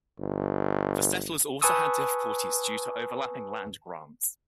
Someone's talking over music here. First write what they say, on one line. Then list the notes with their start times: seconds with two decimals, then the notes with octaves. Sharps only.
The settlers also had difficulties due to overlapping land grants.
0.19 G1
1.61 B4 G#5 A5 C#6 D#6 E6